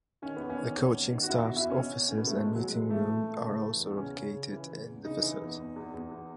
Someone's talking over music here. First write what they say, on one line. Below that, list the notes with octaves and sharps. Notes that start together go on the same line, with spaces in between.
The coaching staff's offices and meeting room are also located in the facility.
D#3 C#4
E2 B3
C#4
D#3
E2
E2
D#3
F#4
E2 E4
F#4
B2
E4
E2 C#4
B2
B2
C#4
B2 B3
A3
A2 G#3
E3 F#3
G#3
E3
A2 A3
A2
A2
C#3
E3
E2
C#3 C#4
C#3
C#3
E3
C#3
E2
C#3 D#4
E3
E2
E2
E2
E2
E2